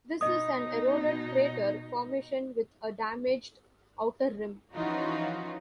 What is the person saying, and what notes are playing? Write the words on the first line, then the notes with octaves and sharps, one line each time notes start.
This is an eroded crater formation with a damaged outer rim.
B2 D#4 D#5 D#6
E3 F3 C#4 D#4 F4 F#4